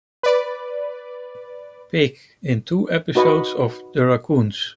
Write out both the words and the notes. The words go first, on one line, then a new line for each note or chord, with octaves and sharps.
Pig in two episodes of "The Raccoons".
B4 D5
D#4 F#4 B4 D#5 F#5 B5